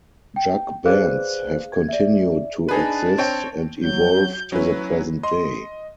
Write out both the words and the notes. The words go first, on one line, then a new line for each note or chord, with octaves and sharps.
Jug bands have continued to exist and evolve to the present day.
G5
G#4 B4 C5 D5 F5 F#6
G#6
D5 E5
D4 D#4 G#4 B4 A5
C4 C#5 G5
F#3 G6
F#3 C#4 E4 B4
D#5 C6